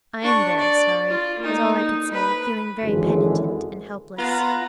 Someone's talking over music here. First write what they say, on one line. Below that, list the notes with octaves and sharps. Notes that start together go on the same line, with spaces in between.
"I'm very sorry," was all I could say, feeling very penitent and helpless.
D4 C#6
D5
F4
A#3 D#4
D#4
B4
G#1 F#2 D3 E3 G#3
B3 F4 A#5